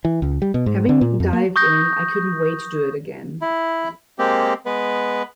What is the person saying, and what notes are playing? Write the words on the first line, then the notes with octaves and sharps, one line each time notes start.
Having dived in, I couldn't wait to do it again.
E3
C#2
G3
B2
G#2
D3
A#2
F2
A#3
C#6 D#6 G6 A#6
E4
G#3 A#3 C4 G4
G#3 B3 B4